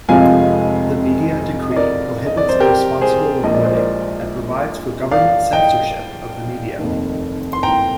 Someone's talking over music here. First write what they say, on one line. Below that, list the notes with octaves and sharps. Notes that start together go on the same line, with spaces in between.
The Media Decree prohibits "irresponsible reporting" and provides for government censorship of the media.
F1 F2 C3 F3 G#3 F5 G#5
D#5
A#4 D5
D#5
D5
C5
G4 A#4
G#4 C5
A#1 A#2 G#3 D#5
D5
C5
A#4 D5
D5 F5
D#5 G5
F1 D#2 D#3
C6
G5 A#5